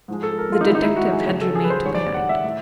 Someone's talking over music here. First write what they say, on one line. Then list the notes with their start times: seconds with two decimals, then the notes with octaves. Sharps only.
The detective had remained behind.
0.08 G#2 F3 G#3
0.23 A4
0.38 A#4
0.52 F4
0.61 D#4
0.67 G#2 D#3 G#3 E4
0.75 D#4
0.82 E4
0.96 F#4
1.11 G#4
1.26 F2 C#3 F#3 C#5
1.41 A4
1.55 G#4
1.64 B4
1.70 C5
1.85 G#2 D#3 G3 C#5
1.95 D5
2.14 F#5
2.29 E5
2.44 A2